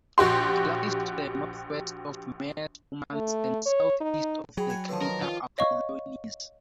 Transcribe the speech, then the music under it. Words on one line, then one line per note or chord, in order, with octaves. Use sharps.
It lies to the northwest of Mare Spumans and southeast of the crater Apollonius.
A#1 F#4 G4 C6
A3
C#5
D#4
F#3 G#4 G5 B5
F#5 G#5
D3 D#3 F3 B4 C#5 A5
A#4
F4
C#5 D#5 F5 C#6